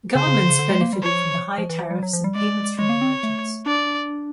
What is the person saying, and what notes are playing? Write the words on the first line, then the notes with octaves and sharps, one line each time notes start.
Governments benefited from the high tariffs and payments from the merchants.
C#3 C5
C#3
D3
C#3
D3
G#3
A#3
G3
F3 C#5
F3
E3
F3
G3
F#3
F3
G3
G#3 D5
G#3 C#5
A#3
C4
A3
D4 D5